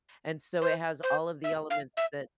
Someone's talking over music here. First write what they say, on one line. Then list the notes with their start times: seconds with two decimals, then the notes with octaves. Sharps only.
and so it has all of the elements that
0.61 C5
1.03 C5
1.44 E5
1.70 F5
1.97 E5